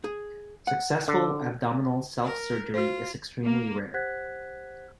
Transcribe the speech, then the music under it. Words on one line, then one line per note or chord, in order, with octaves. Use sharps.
Successful abdominal self-surgery is extremely rare.
G#4
F#5
D3
A#4
F4 F#4 C5
A#3
G4 C5 F#5 F#6 G#6 B6